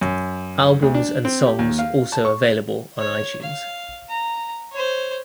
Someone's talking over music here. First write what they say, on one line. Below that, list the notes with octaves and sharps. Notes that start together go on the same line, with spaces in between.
Albums and songs also available on iTunes.
F#2
D2
D4
C4
G4
D#2
F5
A5
C#6
C#5
F5
A#5
C5 C#5